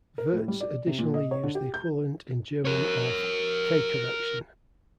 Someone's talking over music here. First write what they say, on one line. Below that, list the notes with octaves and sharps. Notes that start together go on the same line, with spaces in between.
Wirtz additionally used the equivalent in German of "K correction".
A#4
A2
G3
D5
C3
A#2
D#5
C#5
D3
G4
G6
A#4 C#5